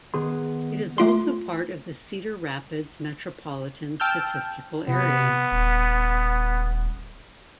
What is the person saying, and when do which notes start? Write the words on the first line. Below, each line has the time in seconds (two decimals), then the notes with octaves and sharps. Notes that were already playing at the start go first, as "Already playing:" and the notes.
It is also part of the Cedar Rapids Metropolitan Statistical Area.
0.14 D#3 B3 G#4 C6
0.98 A3 F4 C6
4.00 G5 A5 E6 F6 G6
4.88 C3 B3
5.51 D#1